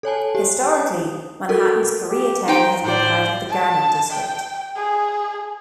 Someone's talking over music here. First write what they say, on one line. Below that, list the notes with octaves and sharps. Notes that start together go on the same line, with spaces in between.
Historically, Manhattan's Koreatown has been part of the Garment District.
A4 C#5 G#5 A5
G4
D#6
F#4 A4 A#4
G4
D#4 C5 G5
A2 C5 D5
A5
G5
G#4